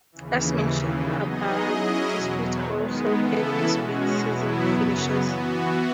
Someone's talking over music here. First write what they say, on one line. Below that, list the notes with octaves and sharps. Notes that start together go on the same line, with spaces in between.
As mentioned above, disputes also occurred in the split season finishes.
D#2 C#3 E3
D#2 C#3 E3
F#3 B3 D#4 G#4 D#5
F#3 C#4 E4 G#4 D#5
E2 B2 F#3
D#3 G#3 B3
C#3 E3 B3 E4 A4
B2 G#3 C#4 F#4
E2 B2 F#3 B3 E4
F#2 C#3 F#3 B3
E3 B3 F#4